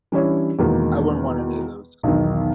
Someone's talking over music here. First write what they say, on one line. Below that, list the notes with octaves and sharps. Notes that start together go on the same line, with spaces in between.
I wouldn't want any of those.
E3 G3 C#4 D4 E4 C#5
E2 B2 D#3 G#3 A#3
B1 E2 D#3